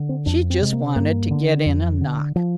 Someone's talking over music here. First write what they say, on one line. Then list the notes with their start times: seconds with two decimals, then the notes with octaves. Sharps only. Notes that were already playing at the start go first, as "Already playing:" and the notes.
She just wanted to get in a knock.
Already playing: D3
0.09 C4
0.26 F2 D4
0.50 C4
0.62 C3 G#3
0.73 A#3
0.96 G2 A#3
1.31 D3
1.66 F2
2.01 D3
2.36 F3